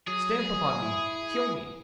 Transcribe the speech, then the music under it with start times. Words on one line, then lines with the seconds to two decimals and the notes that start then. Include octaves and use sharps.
'Stamp upon me, kill me!
0.08 F#3 G#4
0.83 E4